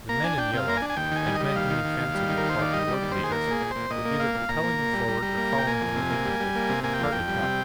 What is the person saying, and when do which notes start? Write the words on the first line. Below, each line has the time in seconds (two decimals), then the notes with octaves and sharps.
The men in yellow, and men whom he fancied were called Ward Leaders, were either propelling him forward or following him obediently; it was hard to tell.
0.09 A#3 A#5
0.23 D4 G#5
0.38 D4 G5
0.53 C3 F5
0.68 A#3 A#5
0.77 G#5
0.82 D4
0.90 G#5
0.97 D#2 G5
1.11 D#3 G#5
1.27 G3
1.35 D#5
1.40 G3
1.46 D#5
1.56 D#2 F5
1.70 D#3
1.85 D#2
2.00 D#2
2.15 G3
2.29 D#3
2.38 A#4
2.43 D#2
2.49 C5
2.59 D#3 D5
2.73 G3 D#5
2.87 G3
2.92 D5
3.02 D#2
3.12 D#2 C5
3.24 G#4
3.32 A#3 A#4
3.47 A#2 G#4
3.61 A#2
3.71 A#2 C5
3.90 A#2 D#5
4.05 A#3
4.20 A#2 F5
4.35 A#2
4.49 A#2 A#5
4.63 A#3
4.78 A#2
4.93 G3
5.08 G3
5.22 G3
5.37 A#3
5.52 A#2
5.58 G5
5.67 A#3 G#5
5.81 F2
5.96 C3
6.10 A#3
6.25 G3
6.40 G3
6.55 A#3
6.69 C3
6.84 A#3 G#5
6.93 G5
6.99 F2 F5
7.12 F2 G5
7.28 G3
7.42 C3